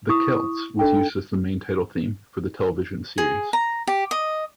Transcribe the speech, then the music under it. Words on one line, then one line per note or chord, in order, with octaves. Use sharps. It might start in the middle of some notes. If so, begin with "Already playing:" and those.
"The Celts" was used as the main title theme for the television series.
E4 C#6 D#6
D4 A4 G5
G#4
A#5
G4
D#5